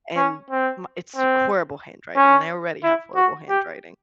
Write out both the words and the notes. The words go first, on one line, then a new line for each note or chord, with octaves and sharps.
and my it's horrible handwriting, and I already have horrible handwriting,
C#4
C4
C4
C#4
E4
F#4
G4